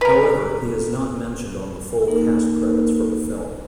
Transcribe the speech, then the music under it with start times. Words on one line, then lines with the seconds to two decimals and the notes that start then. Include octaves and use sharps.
However, he is not mentioned on the full cast credits for the film.
0.01 A#4 B4
2.08 A#3 D#4 A#4